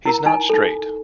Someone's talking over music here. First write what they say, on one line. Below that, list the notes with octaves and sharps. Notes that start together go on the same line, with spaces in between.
He's not straight.
E4 A#4 A#5
D#4 G#5
D#4 A4